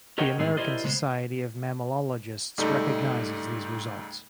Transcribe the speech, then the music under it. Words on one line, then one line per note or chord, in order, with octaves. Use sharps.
The American Society of Mammalogists recognizes these results.
G4 A#4 C#5 D#5 F#5 G5
A2 D#3 E3 G#3 C4 G#4
E4 G4 A#4 C5 D5 D#5
C#3 G#3 B3 B4 C5
C#2 G#2 G3 A3 D#4 A4